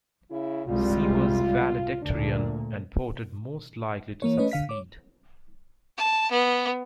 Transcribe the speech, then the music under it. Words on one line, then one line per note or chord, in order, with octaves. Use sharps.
She was Valedictorian and voted Most Likely To Succeed.
C#3 E4
C2 G3 G#3 F4
D2 A#2 D4
E3 A#3 C#5
A3 C#4 B4 C#5 D#5
D3 F5 B6
C#5 D6
A5
B3